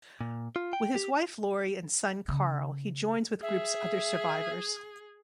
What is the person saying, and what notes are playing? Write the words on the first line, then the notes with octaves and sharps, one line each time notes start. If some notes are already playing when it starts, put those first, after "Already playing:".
With his wife Lori and son Carl, he joins with groups other survivors.
A#2
F4
G5
G4
C#3
G#4 E5